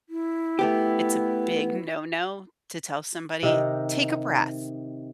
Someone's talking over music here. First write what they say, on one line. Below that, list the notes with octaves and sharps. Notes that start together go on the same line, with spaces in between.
it's a big no-no to tell somebody, "Take a breath."
E4
A3 B3 G4
C3 D#3 D#4